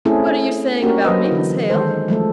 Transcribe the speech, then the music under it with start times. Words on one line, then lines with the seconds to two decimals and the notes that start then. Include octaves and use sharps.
'What are you saying about me, Miss Hale?
0.05 A3 C4 C#4 E4 G#4 A4
0.82 A#3 C#4 D4 F#4 G4 A#4
1.05 F#3 B4 C5 D#5
1.32 D3 E3
1.70 D#3 G#3 A4 C5
2.08 F3 G#3 A3 A4